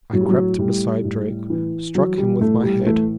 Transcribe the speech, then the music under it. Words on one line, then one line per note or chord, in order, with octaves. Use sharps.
I crept beside Drake, struck him with my head.
A2 F#3
G3
F#3
A2 G3
A2
E3
E3 F#3
G3
A2 A3
G3
E3 A3